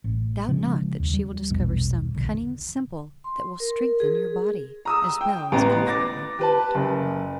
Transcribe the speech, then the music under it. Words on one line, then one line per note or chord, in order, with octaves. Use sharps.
Doubt not that she will discover some cunning simple, that will strengthen your body, as well as comfort your heart.
A1
C#3 F3 G#3
D#2
G3
A#1 E2 G2 B2
A#1 D3
C6
A#4
G#4
A#5 D#6 E6
G5
A1 B3 B4 A#5
D6 A6 A#6
G4 B4 A5
F#1